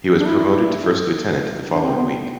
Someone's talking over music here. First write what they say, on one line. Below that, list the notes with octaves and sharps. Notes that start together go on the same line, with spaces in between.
He was promoted to first lieutenant the following week.
D4
E4
D4
C4
B3